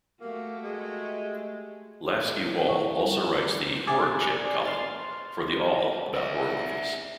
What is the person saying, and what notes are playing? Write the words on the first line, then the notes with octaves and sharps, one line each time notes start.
Lafsky Wall also writes the "Horror Chick" column for The Awl about horror movies.
A3 A#3 F#4 G4
G#3
E4 C#6
G3
G#4 D5
C6 F6 A6
D5 E5